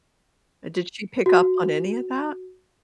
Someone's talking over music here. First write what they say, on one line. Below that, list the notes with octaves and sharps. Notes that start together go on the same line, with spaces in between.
Did she pick up on any of that
F#4